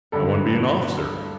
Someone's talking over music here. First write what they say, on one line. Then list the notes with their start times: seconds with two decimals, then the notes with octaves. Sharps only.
I want to be an officer.
0.12 G2 D3 A4